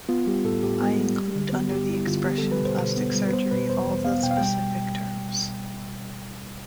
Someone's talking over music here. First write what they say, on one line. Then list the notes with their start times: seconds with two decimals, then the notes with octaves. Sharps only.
I include under the expression plastic surgery all the specific terms.
0.09 B3 F4
0.27 G3 G4
0.44 A2 A4
0.63 A2 G4
0.81 B3
0.99 G3
1.17 G3
1.35 D3
1.52 B3
1.71 G2 G4
1.89 G3 E4
2.07 D3 F4
2.25 B3 G4
2.38 A4
2.43 G3
2.52 B4
2.61 B2 C5
2.79 B2
2.97 B3
3.15 G3
3.28 B4
3.32 B3 C5
3.51 B2 B4
3.69 E2 C5
3.86 E2
4.05 B3 F5
4.23 B2 G5
4.31 F5
4.37 G3 G5